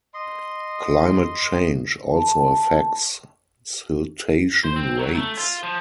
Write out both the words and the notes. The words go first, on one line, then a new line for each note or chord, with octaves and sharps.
Climate change also affects siltation rates.
D#5 C6
A5
C5
C4
F#3
A3
F4
F3